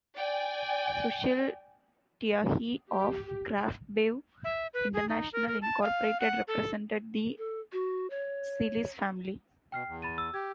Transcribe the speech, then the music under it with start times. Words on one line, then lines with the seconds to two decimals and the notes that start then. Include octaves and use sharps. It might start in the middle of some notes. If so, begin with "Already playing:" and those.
Sushil Tyagi, of Craftbev International Incorporated represented the Celis family.
0.16 D5 G5 G#5
2.90 G4
4.44 E5
4.74 B4
4.94 G#4
5.09 D#4
5.33 A#4
5.48 A#4
5.62 A5
5.82 F5
6.20 F#5
6.48 A4
7.38 A4
7.72 F#4
8.10 C#5
9.72 B2 G5 F6 C7
9.88 E2
10.02 B5 A6 D#7
10.18 E6
10.34 G4 G#6